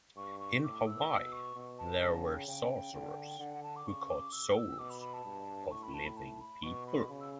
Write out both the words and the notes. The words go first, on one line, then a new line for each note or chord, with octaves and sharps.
In Hawaii there were sorcerers who caught souls of living people.
G2 C#6
C#6
A2 D6
E6
B2 E6
C#6
B2
A5
C#3 A5
G5
C#3 G5
D3
D3 F#5
A5
D6
C#3 C#6
D6
E6
E6
B2 D6
B5
B5
A5
G2
A2 C#6
B5
A5
B5
A5
B5
B2 C#6
B5
C#3
E6